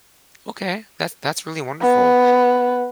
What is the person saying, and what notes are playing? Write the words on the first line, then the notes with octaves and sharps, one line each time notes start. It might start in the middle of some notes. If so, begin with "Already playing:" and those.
Okay. That's that's really wonderful,
B3